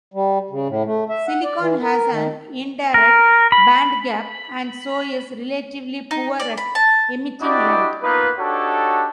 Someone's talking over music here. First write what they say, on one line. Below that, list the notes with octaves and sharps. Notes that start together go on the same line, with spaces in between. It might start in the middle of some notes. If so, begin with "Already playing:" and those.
Silicon has an indirect bandgap and so is relatively poor at emitting light.
G3
C#3
A2
A3
E5
F#5
D5
E3
A#4
D#3
A#4
B5
D#4
D5
B5
A5
D4 E4 F#4 G4 D5 D#5
A#3 B3 D#4 F4 B4
D4 D#4 F#4 G4 A4 C#5